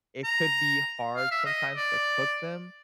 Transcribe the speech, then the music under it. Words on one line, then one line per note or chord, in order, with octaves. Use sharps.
it could be hard sometimes to cook them
A#5
F5
E5
D#5
D5